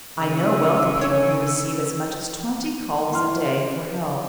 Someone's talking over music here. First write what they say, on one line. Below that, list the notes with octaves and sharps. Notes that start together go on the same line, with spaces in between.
I know wealthy people who receive as much as twenty calls a day for help.
C#3 E6
C#5
E3 C6 F6